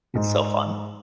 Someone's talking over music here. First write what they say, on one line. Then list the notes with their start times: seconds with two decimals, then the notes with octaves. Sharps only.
It's so fun.
0.15 G#2